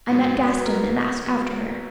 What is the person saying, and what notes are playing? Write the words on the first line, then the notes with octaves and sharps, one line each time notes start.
I met Gaston and asked after her.
G#1 G#2 F#3 B3
F#4
B4
A#4
C#2 C#3 F#3 B3